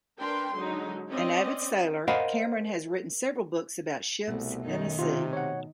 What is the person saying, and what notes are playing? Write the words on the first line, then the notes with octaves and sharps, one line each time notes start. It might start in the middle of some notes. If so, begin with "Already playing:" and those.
An avid sailor, Cameron has written several books about ships and the sea.
D4 A#4 B4 G5 C6
D3 F#3 G#3 D#4
C4 C#4 D5 D#5
A#4 C5 D#5 F5 F#5 B5
C2 B2 A3
F#2 D#3 D#4
C3 F4
C#5 F#5